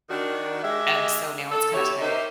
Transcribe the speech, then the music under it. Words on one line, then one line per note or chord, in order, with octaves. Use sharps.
and, so now it's kinda time
D#3 D4 F#4
G#3 G4 D#5 E5
A4
B2 E4 G4 C#5
D#4 G4 A#4 C5 D#5 E5